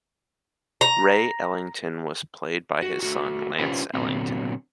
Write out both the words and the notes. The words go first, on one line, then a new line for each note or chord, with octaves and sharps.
Ray Ellington was played by his son, Lance Ellington.
A#5
F#4
A3 F#4
C#4 D4 F4 G4 B4 C5
A#2 D3 E3 F#3 B3 C4